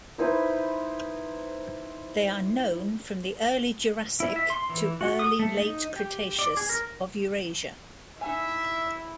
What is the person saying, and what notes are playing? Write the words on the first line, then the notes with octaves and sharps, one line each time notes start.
They are known from the Early Jurassic to early Late Cretaceous of Eurasia.
D#4 E4 B4 C5
E4
E5
C6
E3
F#4
D#6
A3
D#4
G4
D5
G#4
A#4
D#4 E4 E5 G#5